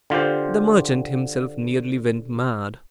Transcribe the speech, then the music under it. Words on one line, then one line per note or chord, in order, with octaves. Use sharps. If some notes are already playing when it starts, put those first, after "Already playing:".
The merchant himself nearly went mad.
D3 F4 G4 C5